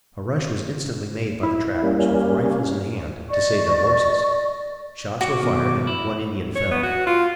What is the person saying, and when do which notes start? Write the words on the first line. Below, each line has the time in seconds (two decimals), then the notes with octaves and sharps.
A rush was instantly made by the trappers, with rifles in hand, to save their horses. Shots were fired and one Indian fell.
1.43 E4
1.83 G3 A#3 C#4
3.29 D5 D#5 C#6
5.21 F#4 D6
5.39 B2 D#3
5.87 E4
6.55 C#5
6.71 B3
6.83 F#4
7.07 F4